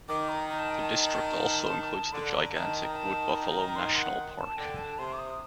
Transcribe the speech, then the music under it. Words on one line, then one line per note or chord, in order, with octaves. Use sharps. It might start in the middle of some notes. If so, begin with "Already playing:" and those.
The district also includes the gigantic Wood Buffalo National Park.
D#3 D6
A#5
A#5
A5
G5
A5
D3 C6
C6
A#5
D#3 A5
A#5
A5
A#5
C6
F#5
A5
D3 G5
A5
C3 C6
D6
D#6